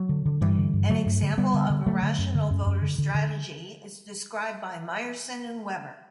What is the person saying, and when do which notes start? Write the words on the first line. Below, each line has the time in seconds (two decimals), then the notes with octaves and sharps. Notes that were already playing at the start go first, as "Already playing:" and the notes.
An example of a rational voter strategy is described by Myerson and Weber.
Already playing: F#3
0.09 D3
0.25 D3
0.41 G2 E3 G3
0.58 D3
0.73 G2
0.90 D3 F#3 A3
1.06 G2
1.22 D3
1.37 D3 G3 B3
1.54 D3
1.70 D3
1.86 D3 F#3 A3
2.03 D3
2.18 F#2
2.35 D3
2.51 F#2
2.66 F#2
2.82 D3
2.98 D3
3.15 D3